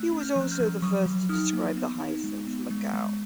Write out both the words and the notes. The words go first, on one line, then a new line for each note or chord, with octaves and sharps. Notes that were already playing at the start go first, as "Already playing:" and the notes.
He was also the first to describe the hyacinth macaw.
Already playing: A3 E6 F#6
C#4
F6 G6
F3 F#6
F6 G6
F3
F#3 C#6 D#6
F#3
D#4 D#6 F6
A#3
B3
D#4
G#3
B3
G#3
G#3